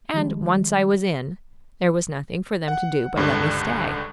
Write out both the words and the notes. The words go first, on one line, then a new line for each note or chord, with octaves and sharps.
And, once I was in, there was nothing for them to do but let me stay.
D#3 F3 G3 G#3
F#5
C#2 G2 D3 C5